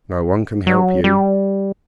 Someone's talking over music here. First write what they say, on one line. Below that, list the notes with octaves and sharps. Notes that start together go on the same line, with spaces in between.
No one can help you.
F#3
G3